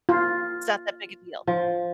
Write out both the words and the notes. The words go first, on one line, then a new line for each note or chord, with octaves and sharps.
It's not that big a deal."
F4
F3